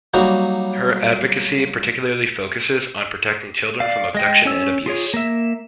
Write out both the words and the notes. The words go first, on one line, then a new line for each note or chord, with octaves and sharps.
Her advocacy particularly focuses on protecting children from abduction and abuse.
F#3 G3 A#3 D#4 F#4
D5 F5
G#3 D#5 G5
C#4 C#5 E6
F4 G#4 C#5
A#3 E5